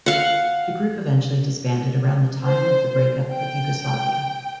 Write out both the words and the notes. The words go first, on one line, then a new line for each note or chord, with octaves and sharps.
The group eventually disbanded around the time of the Breakup of Yugoslavia.
F5 F#5
C5
G5